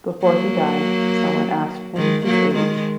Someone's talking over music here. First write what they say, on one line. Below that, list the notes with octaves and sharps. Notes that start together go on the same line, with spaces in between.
Before he died, someone asked him his age.
F#3 A#3
D#3 G#3
F#3 A#3
D#3 G#3